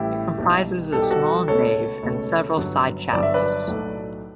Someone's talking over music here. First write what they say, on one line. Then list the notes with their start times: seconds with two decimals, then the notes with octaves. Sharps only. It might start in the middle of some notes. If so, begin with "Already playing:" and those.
It comprises a small nave and several side chapels.
Already playing: A1 A2 E3 G3 E4 G4
0.38 B1 B2 G3
0.92 B1 B2 G3 A4
1.02 G4
1.11 F#4 A4
1.47 C#2 B2 A3 A4 C#5
2.03 C#2 B2 A3
2.57 G1 G2 F#3
3.12 G1 G2 F#3 D5
3.23 E5
3.34 B4 D5
3.67 B1 A2 F#3 A3